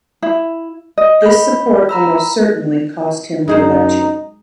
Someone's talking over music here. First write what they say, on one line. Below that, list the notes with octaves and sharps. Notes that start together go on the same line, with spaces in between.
This support almost certainly cost him the election.
E4
D#5
B5 G6
A#5 B5 E6
F#2 G#3 D#4 G#4 C5